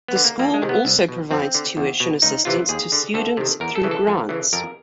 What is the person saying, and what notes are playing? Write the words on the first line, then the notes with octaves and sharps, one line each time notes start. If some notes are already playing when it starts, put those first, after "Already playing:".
The school also provides tuition assistance to students through grants.
B3
D3
A#3
F2 A#3
G#3
C3 D#3
B3
C2
B2
F2 C4
D3
E2
B2
C#2 D#4
C3 E3 F4
D#2 G#4
D3
D2 A4
C3 D#3
E2 A#4
A4
C#3 E3
A4
F2
C#3 E3
F2 A#4